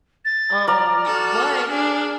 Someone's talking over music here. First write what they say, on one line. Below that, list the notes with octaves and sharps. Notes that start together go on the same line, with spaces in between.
um, but
A6
D5 A#5 F6
F#4 A4
D4 G#4